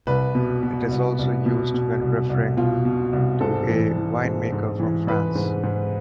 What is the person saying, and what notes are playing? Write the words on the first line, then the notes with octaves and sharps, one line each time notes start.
It is also used when referring to a winemaker from France.
C2 B4
B2
B2
C2
C2
B2
B2
C2
C2
B2 F4
B2
C2
G#2 A4
E3
E3
G#2
G#2
E3
E3 B4
G#2
G#2